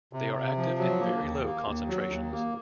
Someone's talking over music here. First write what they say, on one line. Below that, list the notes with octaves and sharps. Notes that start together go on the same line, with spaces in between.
They are active in very low concentrations.
C3
C3
F3
F#3
A#3
D#2
A#3
D#2
F#3
D#2
A#3